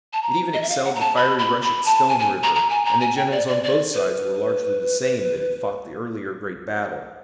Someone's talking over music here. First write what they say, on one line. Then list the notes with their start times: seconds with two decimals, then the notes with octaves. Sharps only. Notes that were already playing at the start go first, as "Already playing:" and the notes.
It even excelled the fiery rush at Stone River, and the generals on both sides were largely the same that had fought the earlier great battle.
0.13 A5
0.22 A#5
0.54 D#5
0.62 E5
0.69 F5
0.85 F#5
0.95 A#5
1.00 A5
1.16 B5
1.39 B5
1.62 B5
1.86 A5
2.09 G#5
2.19 G#5
2.43 A#5
2.55 A#5
2.69 G#5
2.85 A#5
3.01 G#5
3.17 G5
3.31 D5
3.47 D5
3.63 D5
3.94 B4